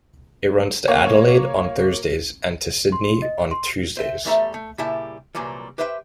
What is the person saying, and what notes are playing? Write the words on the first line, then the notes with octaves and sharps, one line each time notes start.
It runs to Adelaide on Thursdays, and to Sydney on Tuesdays.
A#3 C#5
C6
D#5
C6
C5 E5 G5
E2 E3 G3 A3 E5 A#5
A3
A#2 C#3 G3 E4 E5 A5
C2 A#2 E3 F#3 G3
G4 B4 C5 E5 F5 G5